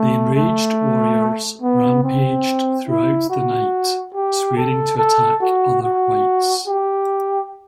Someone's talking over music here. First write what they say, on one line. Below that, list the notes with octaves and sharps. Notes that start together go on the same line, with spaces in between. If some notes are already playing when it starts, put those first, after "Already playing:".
The enraged warriors rampaged throughout the night, swearing to attack other whites.
Already playing: A3
A3
B3
C4
E4
F#4
G4
A4
A4
F#4
F#4
G4